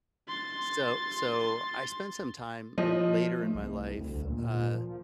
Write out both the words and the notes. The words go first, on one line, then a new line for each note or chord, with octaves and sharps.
So so I spent some time later in my life, uh,
C6 A6
F3 D#5
A3
C2
D2
A#2
F3